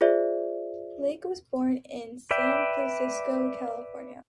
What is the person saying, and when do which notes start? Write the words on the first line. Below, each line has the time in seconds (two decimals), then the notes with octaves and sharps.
Lake was born in San Francisco, California.
0.01 F4 G#4 C5 D5 E5
2.31 B4 D5 E5 G5